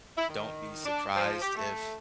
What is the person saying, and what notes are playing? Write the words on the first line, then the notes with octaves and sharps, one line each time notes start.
don't be surprised if
E4
D#3
D4
F3
G4
A3